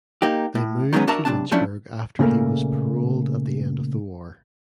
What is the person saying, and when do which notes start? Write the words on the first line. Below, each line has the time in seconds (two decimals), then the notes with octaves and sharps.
They moved to Lynchburg after he was paroled at the end of the war.
0.22 A#3 D#4 G4
0.55 A2
0.93 D#3 F#3 G#3 A#3 B3 C#4
1.07 D4 F#4 A#4 E5 A5 A#5
1.25 B1 G2 C3 D4 A5
1.51 F3 F#3 A3 C#4 D4 E4
2.19 A#2 C#3 E3 G3 A3 A#3